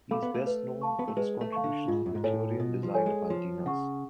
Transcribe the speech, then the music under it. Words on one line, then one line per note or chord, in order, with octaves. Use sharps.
He is best known for his contributions to the theory and design of antennas.
A3 A4 F5 B5 D6
B3
A3
B4
F5 A5 C#6
B3
A3
G#3 B4
A3
F5 A5 C#6
D3
G#2 F4
F#2
G#2
A2 A4 C#5 G#5
B2 F4
F3
A4 C#5 G#5
G#3
F3 C#5
C#3 F#5 C#6